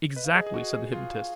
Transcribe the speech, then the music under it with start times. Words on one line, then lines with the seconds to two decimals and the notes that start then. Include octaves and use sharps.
"Exactly," said the hypnotist.
0.16 B4 D#5
0.25 F5
0.32 G#4 D#5
0.47 G#4
0.54 F#4
0.73 G#4
0.92 F4 F5